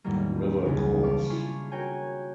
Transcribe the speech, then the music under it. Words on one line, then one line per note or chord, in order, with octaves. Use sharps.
River Course!
E2 A2 D#3 F#3 G3 A#3
C#2 C#3 E3 G#3
F5 A5 B5 C#6 D6
D4 E4 F4 F5 G#5 C#6
F#4 A#4 C#5 G5 G#5